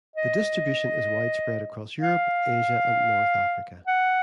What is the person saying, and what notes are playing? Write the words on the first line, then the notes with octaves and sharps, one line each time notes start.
The distribution is widespread across Europe, Asia and North Africa.
D#5
F5
F#5